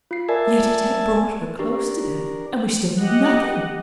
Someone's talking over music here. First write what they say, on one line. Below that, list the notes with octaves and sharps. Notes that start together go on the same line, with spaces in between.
Yet it had brought her close to death,--and we still knew nothing.
F4 C7
A#4 D5 E5 G#5 A5
D4 G4 A#4
G4 D#5 F#5